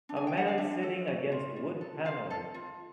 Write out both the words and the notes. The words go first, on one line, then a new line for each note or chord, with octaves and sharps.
A man sitting against wood paneling.
D4
G#5
G5
D4 F#5
F5
D4 E5
A4
F#4
F4
F4
A4
F4 F5
A4
F4